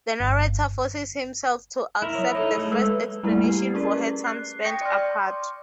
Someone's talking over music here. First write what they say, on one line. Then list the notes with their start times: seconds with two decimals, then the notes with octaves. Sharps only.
The narrator forces himself to accept the first explanation for her time spent apart.
0.20 G1
2.02 E4 A#4
2.15 F#3 C#5
2.35 D#4 E4 A4 C#5
2.58 A3 G#4 E5
2.72 G#3 A4 B4
3.23 G3 A3 A#3 E4 B4 D5
3.44 G4 C7
3.75 C#4 G#4 A#4 B4 D5
4.24 F#6 C7
4.63 G5 C#6 D#6 G6 A#6 C#7
4.81 D5 C6 D6 F6